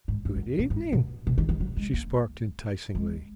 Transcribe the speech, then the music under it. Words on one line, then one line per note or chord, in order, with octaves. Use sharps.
"Good evening," she sparked enticingly.
G#2
G#2
F#2
A#2
G#2
B2
B2
D#3
F3
F#3
G#3
A#3
G#3